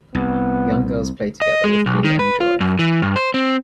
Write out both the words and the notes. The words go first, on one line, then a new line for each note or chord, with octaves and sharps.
Young girls play together with glee and joy.
C2 B3
D#5
G#3
B1
D#3
B4
F4
F#2
E3
G2
C5
C4